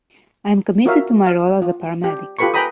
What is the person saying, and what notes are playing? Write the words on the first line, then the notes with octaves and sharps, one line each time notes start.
I am committed to my role as a paramedic.
F4 F#4 A#4 C#5 E5 F5
F5
F4
G4
F4 G4 A4 B4 B5 C#6
G#4 B4 G5 A#5 B5 D#6